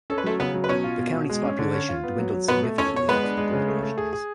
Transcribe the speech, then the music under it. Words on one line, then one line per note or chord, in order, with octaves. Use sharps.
The county's population dwindled significantly after the gold rush days.
C#4 A4
B4
F#3 A3 A4
C#3 B3 B4
F#3
B4
B2 C#4 C#5
F4
B2
B2
G#3
C#4
D3
C#4
F4
B3
F#3
F#3
B2 B3 B4
A3
C#4 A4 C#5
B2 C#5
G#3 B3 B4
D4
G#3
C#3
A3
A3
G#4
G#4